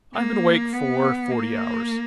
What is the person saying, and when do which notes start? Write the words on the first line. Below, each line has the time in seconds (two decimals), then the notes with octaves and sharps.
"I have been awake for forty hours."
0.15 A#3
0.73 B3
1.30 A#3